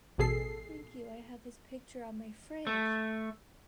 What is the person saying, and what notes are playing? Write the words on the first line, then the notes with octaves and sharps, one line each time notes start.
Thank you. I have his picture on my fridge,
A1 B2 G#4 A4 C7
A3